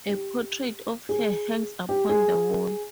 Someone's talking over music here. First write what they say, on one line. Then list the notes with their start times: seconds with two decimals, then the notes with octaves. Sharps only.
A portrait of her hangs upon the wall.
0.09 G4
1.09 G#4
1.89 G4
2.09 G#4